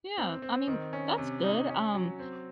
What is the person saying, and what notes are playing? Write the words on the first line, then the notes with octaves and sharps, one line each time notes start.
Yeah, I mean, that's good. Um,
C4
C4
D#3
C#4
C3
D#4
C#4
F#3
C4